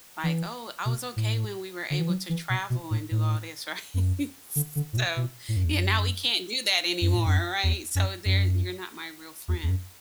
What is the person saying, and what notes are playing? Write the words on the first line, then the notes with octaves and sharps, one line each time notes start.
like, "Oh, I was okay when we were able to travel and do all this." Right. S so yeah, now we can't do that anymore, right? So there you're not my real friend.
E3
B2
A2
D3
E3
F#3
E3
B2
B2
A2
A2
F#2
D3
D3
A2
B2
B2
A2
F#2
E2
F#2
F#2
A2
F#2
E2
F#2
F#2
E2
E2
F#2